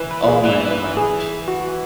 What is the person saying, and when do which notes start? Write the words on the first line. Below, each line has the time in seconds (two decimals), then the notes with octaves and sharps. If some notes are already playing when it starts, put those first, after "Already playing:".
Oh my gosh.
Already playing: E3 B4
0.11 B4
0.28 G#4
0.44 E3 B4
0.70 B4
0.97 G#4
1.48 F#4